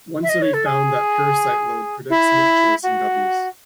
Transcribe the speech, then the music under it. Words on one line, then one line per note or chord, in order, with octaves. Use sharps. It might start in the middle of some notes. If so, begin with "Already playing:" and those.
One study found that parasite load predicts mate choice in guppies.
E5
D#5
C#5
A4
G#4
E4
F#4